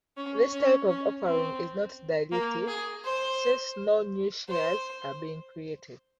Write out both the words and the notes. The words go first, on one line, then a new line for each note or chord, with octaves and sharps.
This type of offering is not dilutive, since no new shares are being created.
C#4
C#4
C#4
C4
A#3
G#4
C5
C5